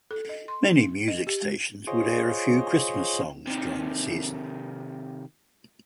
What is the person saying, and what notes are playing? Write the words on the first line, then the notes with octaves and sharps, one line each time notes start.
Many music stations would air a few Christmas songs during the season.
A4
D#5
C6
D#4
D#5
G4
G#3
F4 G#4 C5 C#5 D#5
C3 D#3